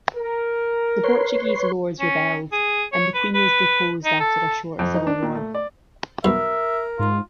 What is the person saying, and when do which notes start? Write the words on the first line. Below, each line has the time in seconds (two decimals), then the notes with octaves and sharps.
The Portuguese lords rebelled, and the Queen was deposed after a short civil war.
0.16 A#4
1.04 B4 C#5 C6
2.00 C#4
2.53 G#4
2.93 C#5
3.14 B4
3.34 B4
4.05 D#4
4.20 A4
4.79 F2
4.94 D#4
5.07 D4
5.23 A#2
5.35 A3
5.55 D5
6.25 B1 A#4 E5
6.99 G#2 F4